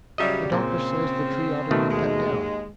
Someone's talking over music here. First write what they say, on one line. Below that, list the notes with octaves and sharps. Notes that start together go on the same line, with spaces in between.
"The doctor says the tree ought to be cut down."
C#3 F#3 G3 D#5 E5
A#2 C#3 C4
B2 D#3 A3
D#2 G#3